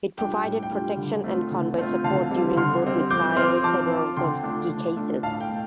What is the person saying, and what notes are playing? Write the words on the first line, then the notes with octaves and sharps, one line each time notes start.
It provided protection and convoy support during both Mikhail Khodorkovsky cases.
G3 D4 F4 G5
A2
G5
G3 D4 F4
D3
A3 C4 F4
D3
A3 C4 F4
D3 F5 A5
G3 C4
D3 C6 F6
G3 C4
F3 D6 G6
C4 F4 C6 F6
F3 A5 D6
C4 F4
D3 G5 C6
A3 D4 F4
D3
A3 D4 F4
A2 F5 A5
G5
A3